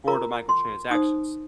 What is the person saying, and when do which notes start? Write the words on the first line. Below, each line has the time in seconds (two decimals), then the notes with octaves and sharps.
for the microtransactions.
0.07 F4 A#4 A#5
0.49 C6
0.90 D#4 C5 D#6